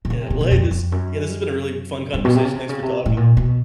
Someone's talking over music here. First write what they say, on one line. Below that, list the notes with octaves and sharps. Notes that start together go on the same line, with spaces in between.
Yeah, well, hey, this Yeah, this has been a really fun conversation, thanks for talking.
C3
C#3
C3
B2
C3
B2
F2
F2
F#2
G2
B2
C3
C#3
C3
C#3
C3
A2
A#2
B2